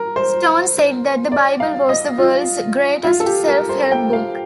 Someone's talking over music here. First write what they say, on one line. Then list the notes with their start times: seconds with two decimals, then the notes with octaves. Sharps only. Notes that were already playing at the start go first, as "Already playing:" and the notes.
Stone said that the Bible was "the world's greatest self-help book".
Already playing: A#4
0.16 C5
1.32 D5
1.60 F5
1.89 D#5
2.18 F4
3.05 F4
3.20 A4
3.26 G4
3.48 A#4
3.69 C5
3.92 G5
4.13 F5